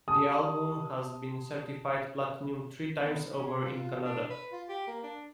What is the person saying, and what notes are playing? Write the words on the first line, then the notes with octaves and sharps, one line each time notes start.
The album has been certified platinum three times over in Canada.
G4 G#5 A5 D#6
B3
C#4
G#4
F4
D4
B4
F4
G4
A#3
D4